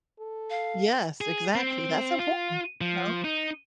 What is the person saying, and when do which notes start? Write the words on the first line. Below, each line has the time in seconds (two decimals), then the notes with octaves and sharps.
Yes, exactly, that's important, you know,
0.20 A4
0.50 F5
1.21 G#4
1.55 C4
2.19 F4
2.81 F3
3.24 D#4